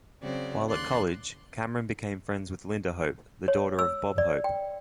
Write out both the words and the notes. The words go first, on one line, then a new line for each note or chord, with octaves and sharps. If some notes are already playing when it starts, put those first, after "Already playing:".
While at college, Cameron became friends with Linda Hope, the daughter of Bob Hope.
C#3 F#3 C4 D5
D#2 C#3 D5 C6 F#6
C#5
E6
D5
G5